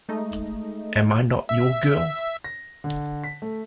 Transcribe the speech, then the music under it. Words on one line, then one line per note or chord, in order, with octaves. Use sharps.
Am I Not Your Girl?
G#3 A3 D#4 D#5
E5
A#6
D3
B6
A3